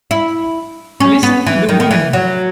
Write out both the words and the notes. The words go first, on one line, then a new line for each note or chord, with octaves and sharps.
Listen to the woman!
E4
C#4
B3
E3
D#3
D#3
E3
F#3